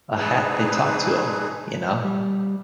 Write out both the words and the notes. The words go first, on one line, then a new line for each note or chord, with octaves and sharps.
A hat they talk to 'em, you know.
G#3 C4 D4 D#4 G#4 B4
G3